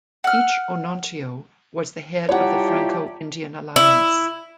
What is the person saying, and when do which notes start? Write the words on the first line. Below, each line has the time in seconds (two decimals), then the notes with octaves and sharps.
Each Onontio was the head of the Franco-Indian alliance.
0.24 F#5 F6
2.29 G3 E4 F4 G4 C#5 F#5 A5 A#5
3.76 E4